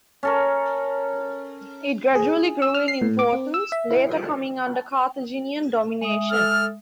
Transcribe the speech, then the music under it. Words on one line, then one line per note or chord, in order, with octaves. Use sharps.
It gradually grew in importance, later coming under Carthaginian domination.
C#4 A4 A#4
G#4
E6
F6
C7
A2
D6
C4
E6
E5
E4
G#3 E5 D#6
A4 F6